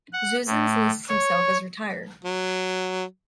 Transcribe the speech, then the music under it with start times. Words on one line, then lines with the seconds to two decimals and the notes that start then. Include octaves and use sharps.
Zuzens lists himself as retired.
0.13 F#5
0.46 A2
1.09 C#5
2.24 F#3